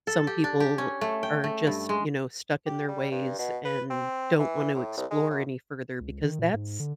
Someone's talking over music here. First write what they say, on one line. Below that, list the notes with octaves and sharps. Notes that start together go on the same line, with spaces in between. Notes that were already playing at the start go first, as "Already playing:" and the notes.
some people are just, you know, stuck in their ways and don't want to explore any further because that's
A4
G4
D4
G4
C#4
A3
G5
A3
G2
G#3
G4
G3
G2
B2
B4
C4
E3
A2
C2
G#3
F#2
C#2
D#3
A#2
G#2
D3